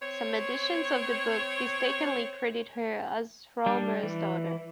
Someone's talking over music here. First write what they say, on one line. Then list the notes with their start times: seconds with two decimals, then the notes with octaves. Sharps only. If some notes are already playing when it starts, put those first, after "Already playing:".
Some editions of the book mistakenly credit her as Rohmer's daughter.
0.01 C4 C#5
3.66 G3 D4
4.03 E3